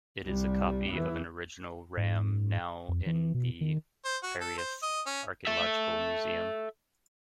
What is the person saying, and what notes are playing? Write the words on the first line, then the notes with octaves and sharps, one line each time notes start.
It is a copy of an original ram now in the Piraeus archaeological museum.
C2 G3
E2 E3
G#2
F2
E3
B2
D#3
C5
F#4
A4
C5
D#5
C#4
A4 E5